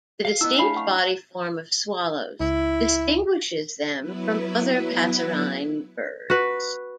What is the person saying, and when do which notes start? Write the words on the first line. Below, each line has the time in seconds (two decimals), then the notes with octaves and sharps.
The distinct body form of swallows distinguishes them from other passerine birds.
0.25 F5
0.41 B3 E4 D#5 E6
0.58 A3 D4 C#5 F5 B5
0.76 F#5 C#6
2.40 C#2 E4
3.99 F#3 B3 E4 B4
6.30 F#4 B4